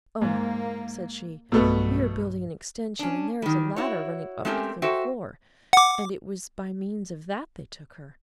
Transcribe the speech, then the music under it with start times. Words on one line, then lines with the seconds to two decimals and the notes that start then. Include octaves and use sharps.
"O," said she, "we are building an extension, and there is a ladder running up to the third floor, and it was by means of that they took her."
0.22 G#2 A#3
1.52 B1 G2 B2 A3 B3
2.99 C#4 D4
3.42 D#3 G3
3.76 E4 F#4 C#5
4.45 G#3 A3 C4 C#4 G4 A#4
4.82 F#4 A4 C5 E5 G5
5.73 F#5 D6